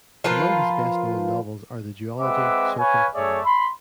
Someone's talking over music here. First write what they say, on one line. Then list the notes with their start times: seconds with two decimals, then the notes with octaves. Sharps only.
Among his best-known novels are the duology Circumpolar!
0.24 F3 F4 A#4 B4
2.20 G#3 C4 B4 E5 F#5 D6
2.79 B4 C#5 F5 G#5
3.14 A3 G#4 C#5 D5 E5
3.45 B5 C6